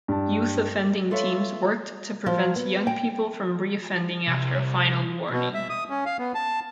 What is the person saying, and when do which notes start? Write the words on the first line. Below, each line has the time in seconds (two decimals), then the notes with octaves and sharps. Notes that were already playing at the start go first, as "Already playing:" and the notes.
Youth Offending Teams worked to prevent young people from reoffending after a Final Warning.
0.08 G2 A5
1.11 F4 A4 B4 C#5 E5 F5
2.26 F3
2.56 B3
2.87 G5
4.27 C2 C3
5.31 B2
5.54 E5
5.70 D#6
5.90 C#4
6.06 F5
6.19 B3
6.35 A5